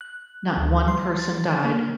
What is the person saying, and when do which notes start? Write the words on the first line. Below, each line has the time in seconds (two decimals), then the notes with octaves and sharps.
Not one person died.
0.01 F#6
0.57 D2
0.88 C6
1.19 A6
1.65 A#3